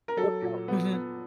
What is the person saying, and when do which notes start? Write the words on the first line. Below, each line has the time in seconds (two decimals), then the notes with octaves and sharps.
workout? Mhm.
0.08 A#4
0.17 F#3 A4
0.42 A#2
0.68 B3
0.93 B3